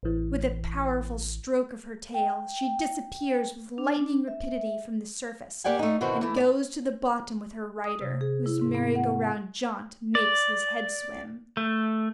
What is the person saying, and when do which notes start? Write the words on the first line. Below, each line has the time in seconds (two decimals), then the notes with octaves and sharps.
With a powerful stroke of her tail, she disappears with lightning rapidity from the surface, and goes to the bottom with her rider, whose merry-go-round jaunt makes his head swim.
0.03 A1 E3
2.14 G5
3.78 D4
4.28 E5
5.64 A#3 G4 D5 F#5 G#5
5.79 A3 D#4
6.01 B2 D#3 E3 C4 F#4
6.21 E3 A3
6.36 D5 A5
7.84 D#6
8.01 C3
8.21 G#4
8.46 E4
8.61 G#2
8.75 B3
8.95 F#5
10.15 D5
11.57 A3